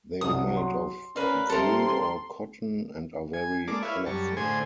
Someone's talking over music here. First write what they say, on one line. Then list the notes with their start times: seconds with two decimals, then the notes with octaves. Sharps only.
They are made of wool or cotton and are very colorful.
0.21 C2 G2 F#3 D#6
0.57 C6
1.16 C#4 A#4 B4 D5 F5 D#7
1.49 G3 C4 A4 A#4 E5 C6
3.34 G#5
3.68 G#3 A#3 A4 D5 D6
3.82 E4 B4 C#5 E5 F5
4.06 F#2 G3 A5 C#6
4.37 A2 D3 G#4 C5 G#5